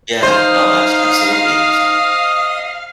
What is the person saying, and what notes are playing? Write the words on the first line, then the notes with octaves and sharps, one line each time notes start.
Yeah, no, abs absolutely,
D#4 C5 D#5 F5 D#6